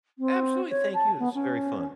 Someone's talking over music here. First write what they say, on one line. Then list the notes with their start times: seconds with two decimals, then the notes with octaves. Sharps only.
Absolutely, thank you. This was very fun.
0.18 C4
0.69 C#5
0.94 A5
1.19 B3
1.34 C#4